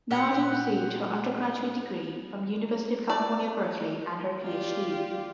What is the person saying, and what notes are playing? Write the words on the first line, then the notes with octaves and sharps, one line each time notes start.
Nardi received her undergraduate degree from University of California at Berkeley and her PhD.
A#2 G4 F#5
D5
F4 G4 D5